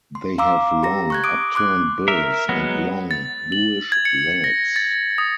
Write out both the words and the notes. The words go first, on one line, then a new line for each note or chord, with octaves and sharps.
They have long, upturned bills and long, bluish legs.
C6
F5 A#5 C6 D6 E6
G4 A#5 A#6
C#6 F#6 G#6
D6 D#6 D7
C6 D6 F#6
A#4 E5
F#3 G#3 B3 F#4
A6
F#7
G#6
C#7
A#6
A6
D#6